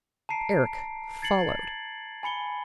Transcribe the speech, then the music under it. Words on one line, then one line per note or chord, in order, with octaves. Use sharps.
Eric followed.
A5 A#5 C7 D7
G#6 A6 C7 C#7 F#7
G#5 B5 C#7 G7